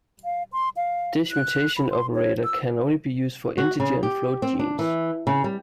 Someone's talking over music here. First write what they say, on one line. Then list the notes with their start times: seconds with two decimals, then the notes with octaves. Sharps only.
This mutation operator can only be used for integer and float genes.
0.25 F5
0.52 C6
0.77 F5
1.31 F#6
1.77 B5
1.91 C6
2.15 C#5
2.44 E6
3.58 F#4
3.80 C#3
4.03 G4
4.42 C4
4.59 D4
4.79 E3
5.27 C#3
5.44 G3